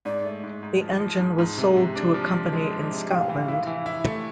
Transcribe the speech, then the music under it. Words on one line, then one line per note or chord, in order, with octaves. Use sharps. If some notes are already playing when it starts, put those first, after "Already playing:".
The engine was sold to a company in Scotland.
G#2 D5
A3
G#2
G#2
F3
F3
G#2
G#2
C3
C3
D4
F3
F3
G#3
D4
C3
A2 F5 G5
E3
E4
E3
E4
A3